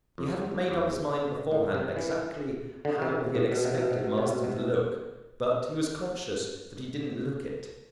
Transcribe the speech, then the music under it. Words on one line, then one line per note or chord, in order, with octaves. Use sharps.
He hadn't made up his mind beforehand exactly how he had expected Marsden to look, but he was conscious that he didn't look it.
F2
F2
E2
E2
A2
C3
E3
D3
C3
A2
B2
C3
B2
C3
B2
C3
B2
C3
B2